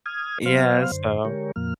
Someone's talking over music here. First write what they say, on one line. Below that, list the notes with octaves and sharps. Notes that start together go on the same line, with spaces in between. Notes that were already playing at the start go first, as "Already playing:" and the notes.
Yeah, so
D#6 F6 G#6
F#3 B3 C5 F5 F6
F#2 D3 C5
D3 G#3 G4 A#4 C#5
F2 A#2 F3 A#3 F6